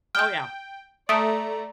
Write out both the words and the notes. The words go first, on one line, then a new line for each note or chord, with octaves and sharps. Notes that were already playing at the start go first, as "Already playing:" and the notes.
Oh, yeah.
G5 F6 G6
A3 D5 A#5 D#6 D7